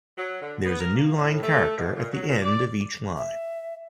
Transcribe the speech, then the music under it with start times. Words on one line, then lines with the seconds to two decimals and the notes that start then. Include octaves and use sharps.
There is a newline character at the end of each line.
0.17 F#3
0.41 D3
0.65 B3
0.80 A#4
0.95 A#3
1.16 A2
1.41 A3
1.76 B2
1.95 A#2
2.12 F#3
2.28 A#2
2.43 D5
3.17 E5